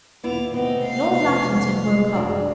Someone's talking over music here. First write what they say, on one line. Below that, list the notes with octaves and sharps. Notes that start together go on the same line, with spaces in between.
Lord Lackington woke up.
D#2 B2 B3 E4 F4 D6 F7
C3 A3 B3 C4 D#4
F5 C7
F2 B3
F#2 D4 G#4